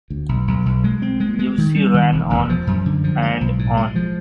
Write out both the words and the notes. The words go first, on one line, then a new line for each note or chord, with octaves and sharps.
Lucie ran on, and on.
D2
B1
B1
B1
G#3
C4
G#3
G#3
D#3
G3
D#3
E1
E1
F3
F#2
D3
F3
G#3
B1
A2
G#3
F3